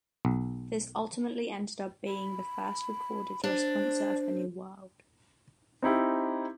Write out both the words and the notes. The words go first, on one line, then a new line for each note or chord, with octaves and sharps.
This ultimately ended up being the first recorded responsa of the New World.
B1
B5
D4 C5
C4 D#4 E4 G4